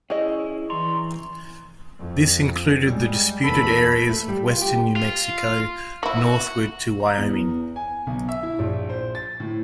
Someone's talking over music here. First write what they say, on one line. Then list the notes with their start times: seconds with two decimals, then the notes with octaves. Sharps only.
This included the disputed areas of western New Mexico northward to Wyoming.
0.10 C#4 E4 G#4 C#5 D#5
0.70 E3 D5 A#5 C6 C#6
1.99 F2
2.85 G3 G#3
3.44 E2 A#3 A4 B5
4.09 A3
4.29 G3
4.47 F4
4.62 G4
4.96 F4
6.03 A#3 E4 F#4
7.00 A#5
7.17 E2
7.76 G#5
8.07 B1
8.29 E5
8.43 E4
8.59 A#1
8.89 C5
9.15 A6
9.40 A2